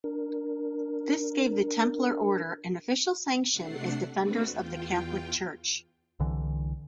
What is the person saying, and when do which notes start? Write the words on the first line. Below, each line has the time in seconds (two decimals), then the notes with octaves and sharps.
This gave the Templar Order an official sanction as defenders of the Catholic Church.
0.04 D4 A#4
3.52 C3 A3 D4 F#5 C7
4.18 A3 C4 D4 F#4 A4 B4
4.49 E2 F4 G5
6.20 C2 D3 E3